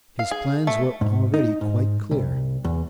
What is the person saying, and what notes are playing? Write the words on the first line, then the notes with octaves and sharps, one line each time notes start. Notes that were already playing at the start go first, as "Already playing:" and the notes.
His plans were already quite clear.
F5
G#4
A3
G#2
D#4
G#2
C2
E2